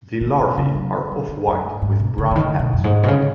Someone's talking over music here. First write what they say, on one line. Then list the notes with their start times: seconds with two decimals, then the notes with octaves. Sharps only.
The larvae are off-white with brown heads.
0.21 D#3
0.39 B2
0.57 C#3
0.75 F#3
1.12 F#3
1.28 D#3
1.47 F#2
1.65 G#2
1.82 G#2
2.00 B2
2.18 C#3
2.31 C#3
2.36 D#3
2.59 B2
2.73 F#2
2.84 G#2
3.03 B2
3.08 C#3